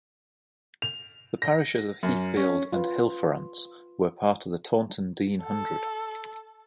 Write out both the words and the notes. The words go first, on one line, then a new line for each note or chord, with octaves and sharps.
The parishes of Heathfield and Hillfarrance were part of the Taunton Deane Hundred.
F7
A#6
F#2
C#4
F4 B4
A4